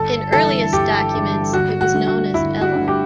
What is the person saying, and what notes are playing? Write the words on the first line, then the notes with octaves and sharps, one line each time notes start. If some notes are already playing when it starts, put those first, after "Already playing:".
In earliest documents, it was known as "Elhov".
Already playing: G1 A4
G2 E3 A4
G1 G4
G2 E3
G1 F#4
F#4
G2 D3 A3
F#4
G1 E4
F#4
G2 D3 A3
G4